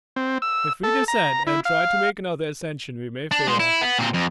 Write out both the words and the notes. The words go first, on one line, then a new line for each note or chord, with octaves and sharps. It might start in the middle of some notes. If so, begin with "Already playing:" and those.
If we descend, and try to make another ascension we may fail.
C4
E6
A4
A#5
E4
F5
D4
G#3 C5
E4
B3
A#2 C4
F2